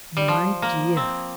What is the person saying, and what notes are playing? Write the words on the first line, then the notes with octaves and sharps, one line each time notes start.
"My dear!"
G3
F3
A#3
C4